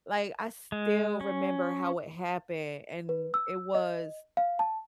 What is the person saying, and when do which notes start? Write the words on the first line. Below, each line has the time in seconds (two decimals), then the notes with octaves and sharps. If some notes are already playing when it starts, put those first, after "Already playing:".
like, I still remember how it happened, and it was
0.72 G#3
1.21 C#4
3.09 B4
3.34 E6
3.75 D#5
4.37 F5
4.59 A5